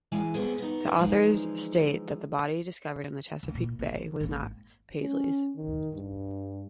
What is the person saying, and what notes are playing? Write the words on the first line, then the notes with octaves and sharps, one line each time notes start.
The authors state that the body discovered in the Chesapeake Bay was not Paisley's.
E3 G#3 G#5
B3 C4 G#4
B3 D#4
D3 E3 F3 G#3 D#4
C#2
A#2 E4
A#1
D#3
G#1 D#2
C#4
D#3
G2